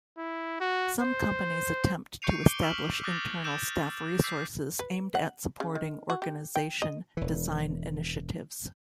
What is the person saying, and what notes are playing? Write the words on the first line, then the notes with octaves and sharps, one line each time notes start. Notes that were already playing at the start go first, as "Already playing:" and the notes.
Some companies attempt to establish internal staff resources aimed at supporting organization design initiatives.
E4
F#4
C5
C#6 G6 C7 C#7 D#7 F7
D6 D7 G7
E6 F6 B6 D7 E7 F#7
D6 D#6 F#6 G6 A6 A#6
D6 E6 G6 A6 D7 E7
D6 E6 G6 B6 C7
B4
F#5
C#3
D#3
F#4
G4
G5
D#5
E1 E3